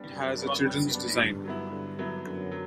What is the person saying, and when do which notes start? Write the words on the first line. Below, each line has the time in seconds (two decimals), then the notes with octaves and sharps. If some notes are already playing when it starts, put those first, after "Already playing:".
It has a children's design.
Already playing: G3 B3 D4
0.11 F#2 G3
0.38 B3 D4
0.65 G3
0.91 B3 D4
1.18 G2 D3
1.44 F#3 B3 E4
1.72 D3
1.99 F#3 B3 E4
2.25 F#2 D3
2.51 F#3